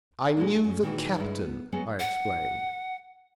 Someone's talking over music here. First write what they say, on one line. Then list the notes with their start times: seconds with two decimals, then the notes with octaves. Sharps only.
"I knew the captain," I explained.
0.37 A#2 G#3 A#3 D4
0.64 F#2
0.83 A#2 D#3 E3 G3 G#3 F#4
1.17 G2 D3 G#3 E4
1.41 B3
1.72 F#3 G#3 B3 C#4 G#4
1.99 F#5